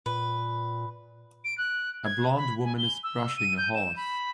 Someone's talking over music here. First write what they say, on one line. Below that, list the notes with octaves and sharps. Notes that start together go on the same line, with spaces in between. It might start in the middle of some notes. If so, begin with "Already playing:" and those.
A blond woman is brushing a horse.
A#2 B4
D7
F#6
G#6
B5
G#5
G7
E6
D#7
G6
E7
B5